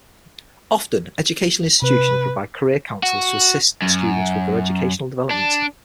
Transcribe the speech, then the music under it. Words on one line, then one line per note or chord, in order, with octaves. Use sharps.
Often educational institutions provide career counsellors to assist students with their educational development.
C3 B4
F#4
F#2
D4